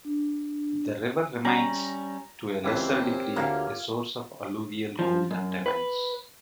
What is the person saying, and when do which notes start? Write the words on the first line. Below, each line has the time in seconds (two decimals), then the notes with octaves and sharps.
The river remains, to a lesser degree, a source of alluvial gold and diamonds.
0.05 D4
1.45 G3 C#4 A#5
2.64 C#2 E3 C4 G4 A#4 C#5 E5
3.36 D2 A#3 F4 A4 F5
4.99 F3
5.31 F#2
5.66 B4